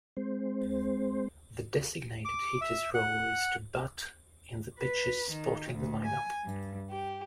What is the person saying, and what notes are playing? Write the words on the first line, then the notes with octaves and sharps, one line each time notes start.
The designated hitter's role is to bat in the pitcher's spot in the lineup.
G#3 C4 C5
D6
E5
F#5
B4
D#3
D2
G#5
G2
G4